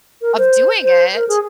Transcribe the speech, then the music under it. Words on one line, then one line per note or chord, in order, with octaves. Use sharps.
of doing it.
A#4
C5
C5
A#4
G#4